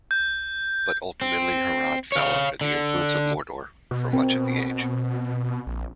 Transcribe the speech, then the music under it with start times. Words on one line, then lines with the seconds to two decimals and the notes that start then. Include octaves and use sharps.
But ultimately Harad fell under the influence of Mordor for much of the Age.
0.11 G6
1.22 C4
2.12 C#5 F5
2.61 D3
3.91 B2
4.13 C4 A#4
5.67 A#1